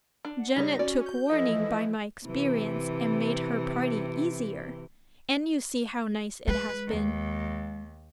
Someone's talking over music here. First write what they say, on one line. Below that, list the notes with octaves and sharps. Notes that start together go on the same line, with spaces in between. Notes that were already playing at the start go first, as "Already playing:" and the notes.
Janet took warning by my experience and made her party easier, and you see how nice it has been.
D4
F#5
C#3 G3 D#4 C#5 A#6
C#4 F#4 D5
G6
E3 F3 E4 A4 D#5
C3 E3
G#3 B4
D#2